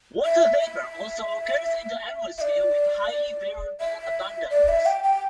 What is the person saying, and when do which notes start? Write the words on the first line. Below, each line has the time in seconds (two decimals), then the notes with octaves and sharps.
Water vapor also occurs in the atmosphere with highly variable abundance.
0.25 E5
0.61 E5
2.38 E5
2.41 D5
3.80 E5
4.50 D5
4.69 E5
4.86 G5
5.04 G5